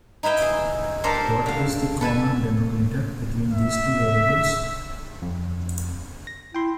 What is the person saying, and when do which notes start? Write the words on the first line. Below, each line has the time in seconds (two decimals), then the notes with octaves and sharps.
What is the common denominator between these two variables?
0.23 D#4 E4 B4 E5 G5
0.42 G#4
1.04 D4 G4 A4 A#4 C5
1.46 D3 F5
2.01 A4 B4 G#5 A5
3.52 E5
5.22 F2
6.27 A#6
6.55 E4 G5 C6